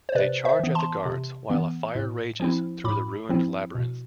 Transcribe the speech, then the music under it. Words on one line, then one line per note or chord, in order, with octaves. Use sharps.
They charge at the guards while a fire rages through the ruined Labyrinth.
C5
C3 B4 D5
C5 E5
E3 B3
A5 C6
C3
E3 B3
A2
F3 C4 E4
A2 B5 D6
F3 C4 E4
B2